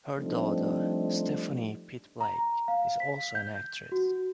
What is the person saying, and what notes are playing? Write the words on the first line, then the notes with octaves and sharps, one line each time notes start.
Her daughter, Steffanie Pitt-Blake, is also an actress.
F3 G3 A3 C4 D4 D#4
A#5
F5
B6
G6
F#4